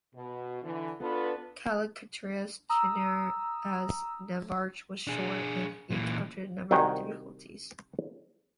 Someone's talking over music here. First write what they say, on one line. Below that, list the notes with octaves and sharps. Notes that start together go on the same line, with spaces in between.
Callicratidas's tenure as navarch was short, and he encountered a number of difficulties.
B2
D3 E3
B3 D4 F4 A4 B4
A#5 D#6 E6
D4 G#4
A#2 E3
C2 D#3 F#4 G5 G#5